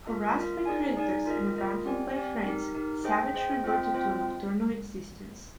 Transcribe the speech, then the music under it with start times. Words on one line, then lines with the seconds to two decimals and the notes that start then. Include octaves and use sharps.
Harassed by creditors and abandoned by friends, Savage reverted to a nocturnal existence.
0.07 F4 A#4 D#5
0.37 F4 A#4 D#5
0.66 D#4 G#4 D5 G#5
0.96 D#4 G#4 D5 G#5
1.26 F4 A#4 D#5
1.56 F4 A#4 D#5
1.85 C4 G4 D5 G#5
2.15 C4 G4 D5 G#5
2.44 D#4 G4 A#4
2.75 D#4 G4 A#4
3.04 G#4 C5 D#5 G5
3.34 G#4 C5 D#5 G5
3.64 C4 F4 C5 D#5 G5
3.93 C4 F4 C5 D#5 G5